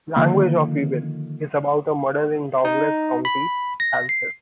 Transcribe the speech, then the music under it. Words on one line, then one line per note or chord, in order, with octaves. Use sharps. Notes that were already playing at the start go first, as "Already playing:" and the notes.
"Language of Evil" is about a murder in Douglas County, Kansas.
D3 D#3 F3 A#3
D#4
B5
A#6
C7